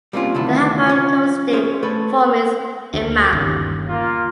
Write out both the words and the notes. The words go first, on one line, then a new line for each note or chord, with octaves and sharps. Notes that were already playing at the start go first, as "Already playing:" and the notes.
The hypocoristic form is Imma.
G3 A#3 C4 C#4 F4
D2 C3 D#3 E4 F4
F3 C#4
B3 C#4 G#4 C5 C#5 E5
A3 A4 B4 C#5
D2
G1 D#2 C#3
A#3 F4